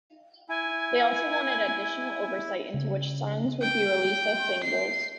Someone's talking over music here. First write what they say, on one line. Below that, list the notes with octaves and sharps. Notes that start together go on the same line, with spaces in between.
They also wanted additional oversight into which songs would be released as singles.
E4 G#5
C#3
G5
C7